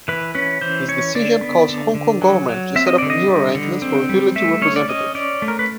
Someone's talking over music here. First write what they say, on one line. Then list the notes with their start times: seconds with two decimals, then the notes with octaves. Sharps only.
This decision caused Hong Kong Government to set up new arrangements for Village Representative.
0.08 E3 B4
0.35 C#4 B4
0.61 E3 C5
0.88 C#4 C#5
1.15 D3 D5
1.41 B3
1.68 D3
1.95 D3
2.21 F#3
2.49 F#3
2.76 C4 E5
2.87 D#5
2.98 D3 D5
3.10 D#5
3.28 G3
3.55 D3
3.82 C4
4.09 G3
4.36 A3 E5
4.62 C#4 C#5
4.76 D5
4.89 C#4 D#5
5.15 C#4 D5
5.42 A3
5.48 A#4
5.59 B4